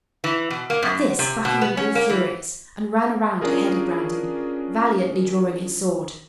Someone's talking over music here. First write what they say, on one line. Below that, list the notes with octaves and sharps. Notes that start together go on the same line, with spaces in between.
At this Buckingham grew furious and ran around ahead of Brandon, valiantly drawing his sword.
E3
B2
A#3
F#2
C3
B2
B3
C#4
A#3
E3
C#4 D4 F4 G#4 A#4